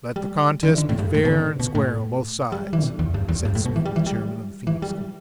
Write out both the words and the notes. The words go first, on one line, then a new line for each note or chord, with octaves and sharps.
"Let the contest be fair and square on both sides," said Smith, the chairman of the Phoenix committee.
G3
D3
E3
D3
A2
G2
A2
B2
D3
B2
A2
G3
E3
D3
B2
E2
G2
E2
G2
A2
B2
E3
G3
E3
G3
E3
G3